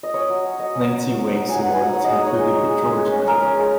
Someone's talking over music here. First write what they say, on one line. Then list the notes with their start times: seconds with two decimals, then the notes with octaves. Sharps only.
Nancy Wake's awards included the George Medal.
0.03 D#5
0.14 C#4 C#5
0.29 F#3
0.44 C#4
0.59 F#3 D#5
0.74 C#4
0.89 F#3
1.04 D#4
1.19 F#3
1.34 D#4
1.49 F#3 G#5
1.60 D#4 F#5
1.71 G#5
1.79 F#3 F#5
1.93 D#4 C#5
2.04 G#3 D#5
2.16 D#5
2.23 D#4 C#5
2.38 G#3
2.53 D#4
2.68 G#3
2.83 C#4
2.97 G#3
3.12 C#4
3.27 G#3 A#4
3.43 C#4
3.57 G#3